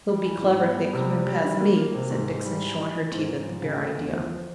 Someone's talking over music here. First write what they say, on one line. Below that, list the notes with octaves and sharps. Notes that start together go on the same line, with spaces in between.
'They'll be clever if they come in past me!' said Dixon, showing her teeth at the bare idea.
G3
E3
G#2
B3
G3
C3
G3
G3
D#3
A#3
A#3
C3
G#2
G#2
G3
E3
E3
E3
G#2
G#2
F3
C#3
A3
E2
F3
F3